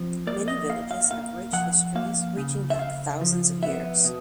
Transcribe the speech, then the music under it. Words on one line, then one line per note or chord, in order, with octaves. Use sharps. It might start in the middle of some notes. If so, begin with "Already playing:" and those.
Many villages have rich histories reaching back thousands of years.
Already playing: F3 C4
A#3 D5
D#5
A#2 F5
F5
A#2 F5
F3 F#5
A#3 F5
C#3
E5
C#3 F5
F3
B3 E5
B2